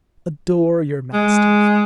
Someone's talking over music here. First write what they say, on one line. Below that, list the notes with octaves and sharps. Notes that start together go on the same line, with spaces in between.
Adore your masters.
G#3